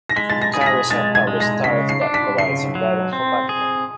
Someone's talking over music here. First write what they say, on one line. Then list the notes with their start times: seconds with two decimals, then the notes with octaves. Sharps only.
Carriers have published tariffs that provide some guidance for packaging.
0.09 A#6
0.16 G#3 B6
0.30 A6
0.42 A#6
0.54 G#4
0.61 B6
0.66 A#6
0.90 G#3 A6
1.15 G#6
1.27 G#3
1.40 A#6
1.64 C#3 B6
1.89 C7
2.01 D4
2.14 B6
2.38 C#3 C7
2.75 F#3
3.13 C4
3.49 G#4